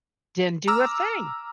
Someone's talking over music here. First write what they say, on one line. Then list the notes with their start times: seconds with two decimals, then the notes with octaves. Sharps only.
didn't do a thing.
0.68 A#5 D6 E6 F6